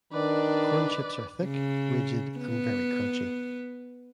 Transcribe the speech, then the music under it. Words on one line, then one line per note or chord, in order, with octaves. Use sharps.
Corn chips are thick, rigid and very crunchy.
D#3 D4 B4 D5
C#3
B3